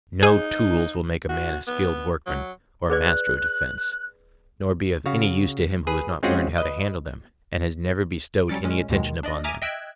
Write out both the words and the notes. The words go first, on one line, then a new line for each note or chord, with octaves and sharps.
No tools will make a man a skilled workman, or master of defence, nor be of any use to him who has not learned how to handle them, and has never bestowed any attention upon them.
D#4 G#4
F#4
B3
F#3
G#4 B4 D5 F#6
C#3 F#4 F5
G#4 B4
G#3 C4 C#4 F4 F#4 G#4
B4 D#5
F#3 G3 C#4 A6 C#7 D7
A#2 G#3 C#4
D#2 B2 D#3 G#3
D4 D5 D#5
E5 G#5 A#5 D6 D#6 F6
D#5 E5 G5 E6 F#6 G#6